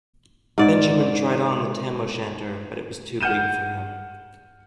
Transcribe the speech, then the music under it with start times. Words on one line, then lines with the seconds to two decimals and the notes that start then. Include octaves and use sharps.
Benjamin tried on the tam-o-shanter, but it was too big for him.
0.58 G#2 D5
3.21 F#5 F6 G6 D#7 E7